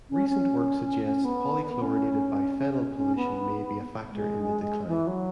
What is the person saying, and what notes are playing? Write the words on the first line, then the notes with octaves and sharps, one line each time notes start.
Recent work suggests polychlorinated biphenyl pollution may be a factor in the decline.
C#4
C#4
C#4
B3
C#4
C#4
C#4
B3
G#3
E3
F#3